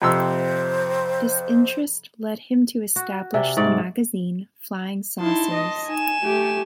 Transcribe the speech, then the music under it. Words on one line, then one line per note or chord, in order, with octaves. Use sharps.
This interest led him to establish the magazine "Flying Saucers".
F2 C3 C5 E6
F#4
C3 D5 E5 G#5
G#2 D5 C#6
D#4 E4 A5 C6
D#5
D#4 G#5 E7
A3 G4